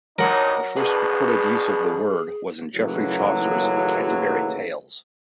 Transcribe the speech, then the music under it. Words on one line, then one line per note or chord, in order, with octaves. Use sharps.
The first recorded use of the word was in Geoffrey Chaucer's "The Canterbury Tales".
G2 F#3 D#4 A#4 F#5
A1 B2 D4 G#4 B4
F#1 D#2 A2 C#3 E3 F#3